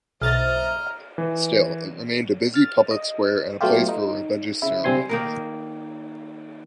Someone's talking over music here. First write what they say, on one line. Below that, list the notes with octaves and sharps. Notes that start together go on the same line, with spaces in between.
Still, it remained a busy public square and a place for religious ceremonies.
F#1 B1 C5 D#5 E5 A#5 F6 A6
E3
F6 A6
D#5
F#3 A3 B3 F4 G4
D#4
C#3 E4
G2 C3 G3 C4 G#5 C6
D#3 A#3 A#4